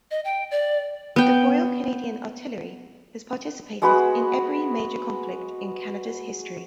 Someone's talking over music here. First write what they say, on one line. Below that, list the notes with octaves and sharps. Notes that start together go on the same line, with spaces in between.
The Royal Canadian Artillery has participated in every major conflict in Canada's history.
D#5
G5
D5
B3 G5
G#3 B3 F#4 B5